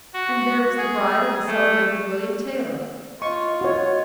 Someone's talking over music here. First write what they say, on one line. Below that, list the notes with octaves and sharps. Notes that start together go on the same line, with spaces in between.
And there was the bride of the celebrated William Taylor.
F#4
G#4
A3
F4 D#5 C#6
F#4 C#5